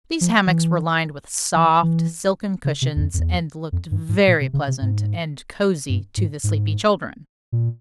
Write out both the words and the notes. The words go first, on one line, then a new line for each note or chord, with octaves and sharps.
These hammocks were lined with soft, silken cushions and looked very pleasant and cozy to the sleepy children.
F3
E3
E3
E3
C#3
C3
E2
F2
F2
E2
F2
G2
G#2
A#2
C3
C#3
C3
G#2
G2
G#2
G#2
A#2